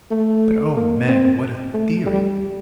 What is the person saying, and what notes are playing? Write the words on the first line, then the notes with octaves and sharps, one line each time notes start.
"But oh, Meg, what a theory!"
A3
A#3
C4
A3
G3